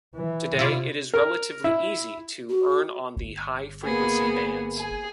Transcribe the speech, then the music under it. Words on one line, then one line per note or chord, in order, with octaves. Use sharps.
Today it is relatively easy to earn on the high frequency bands.
E3
C3 E4 F4 D5
A#4
E4
F#4
G1
A#3 B3 G#4
G#4 G#5